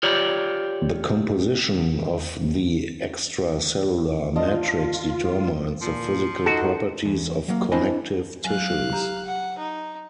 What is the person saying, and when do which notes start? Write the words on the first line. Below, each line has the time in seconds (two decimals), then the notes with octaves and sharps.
The composition of the extracellular matrix determines the physical properties of connective tissues.
0.03 F4 G4 C#5 D5
4.36 D4 F4 D#5
5.81 A#2 F3
6.46 D#4 F#4 A4
7.05 E2
7.48 F#3 A#3
7.72 C4 D4 E4 C5 D#5 G#5
8.44 F#3 F5 G#5 F#6
8.93 G4 A#5
9.25 F#5
9.59 D#4